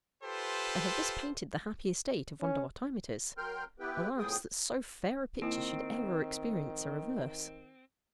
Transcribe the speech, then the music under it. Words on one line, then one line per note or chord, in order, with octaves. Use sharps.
I have thus painted the happy estate of Vondervotteimittiss: alas, that so fair a picture should ever experience a reverse!
F4 G4 A4 B4 C5
C#4
F#3 A#4 G5 C6 F6 G6
B3 E4 G4 B4 G5
F2 A2 B3 G#4 G5 D#6
D#3 A#3 C4 E4